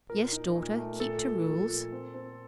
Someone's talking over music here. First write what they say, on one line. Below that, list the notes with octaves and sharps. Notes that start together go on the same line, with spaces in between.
"Yes, daughter; keep to rules."
A#2 A#4
D#4
A#2
A3
A#2 A4
A#2
F3
A#2
C4
C4